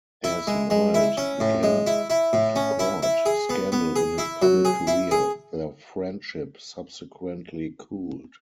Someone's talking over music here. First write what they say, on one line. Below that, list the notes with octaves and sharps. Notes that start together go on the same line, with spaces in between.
As Wilde began to court scandal in his public career, their friendship subsequently cooled.
E4
G#3
G#3
E4
C#4
A2
G#3
E4
E4
A2
C#4
E4
E4
G#4
B3
B3
G#4
E4
F#3
G#4
E4
G#4